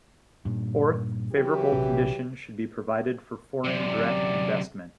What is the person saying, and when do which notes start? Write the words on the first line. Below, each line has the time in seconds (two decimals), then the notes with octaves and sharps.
Fourth, favorable conditions should be provided for foreign direct investment.
0.45 G2 A#2
1.32 E3 F#3 G4
1.72 A#1 C3 C#4
3.65 F#2 C3 D5